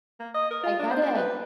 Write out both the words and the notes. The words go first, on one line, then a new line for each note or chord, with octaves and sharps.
I get it.
A#3
D#5
A#4
F4
D4
C5
D4
B4